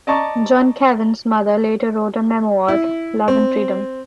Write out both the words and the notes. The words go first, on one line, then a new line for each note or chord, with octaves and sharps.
Jan Kavan's mother later wrote a memoir, "Love and Freedom".
D5 D#5 A5 A#5 C#6 A6
E4
C4